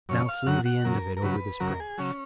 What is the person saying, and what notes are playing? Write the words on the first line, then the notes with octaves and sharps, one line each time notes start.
Now fling the end of it over this branch.
F#2 C#3 F3 C#5
F5
F#2 C#3 F#3 F#5
F#5
F#2 C#3 F#3 A#4
A#4
F#2 C#3 F#3 B4
F#2 C#3 F#3 A#4
G#4
C#3 F#3 C#4